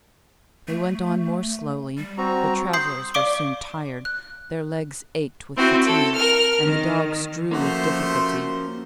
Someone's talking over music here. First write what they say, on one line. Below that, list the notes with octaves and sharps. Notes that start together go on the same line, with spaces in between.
They went on more slowly; the travellers were soon tired; their legs ached with fatigue, and the dogs drew with difficulty.
A3
G3
C4 F#4 A#5
C6 D#6 G6 C7
D5 F5 C#6 D6 D7 G7
F#6
C4 E4 F#4
A4
A#4 F6
D#3
F3 A3 A#3 C#4 F#4 C5 C6